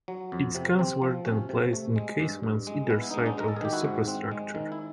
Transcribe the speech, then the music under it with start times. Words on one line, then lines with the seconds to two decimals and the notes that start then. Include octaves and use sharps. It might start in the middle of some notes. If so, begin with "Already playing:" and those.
Its guns were then placed in casements either side of the superstructure.
0.08 F#3
0.32 F2
0.55 C3
0.79 C4
1.02 F3
1.25 C3 C#4
1.49 C3
1.73 A3
1.96 G#3
2.20 G2
2.43 G2
2.67 G#3
2.90 B3
3.02 E4
3.11 D#4
3.14 G#3 D4
3.26 C#4 D#4
3.37 G#3 A#4
3.48 A4
3.56 G#4
3.61 D#3 G4
3.73 E4 F#4
3.85 G#2
4.08 C4
4.31 G#3
4.55 D#3
4.72 E4